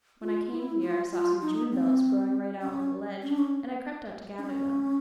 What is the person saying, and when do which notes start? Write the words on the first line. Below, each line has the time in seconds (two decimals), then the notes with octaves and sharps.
When I came here I saw some junebells growing right out on the ledge and I crept out to gather them.
0.22 F4
0.51 E4
0.81 F4
1.11 F4
1.42 D#4
1.72 C4
2.62 C#4
3.22 C#4
3.30 D4
3.38 C#4
4.38 D4
4.43 C#4